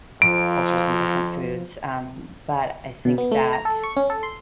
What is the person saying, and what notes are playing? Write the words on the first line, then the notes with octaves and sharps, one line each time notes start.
cultures and different foods, um, but I think that
F2 F3 D7
B2
B3
A3
A#5
A4
C#6
C#4
A4
C6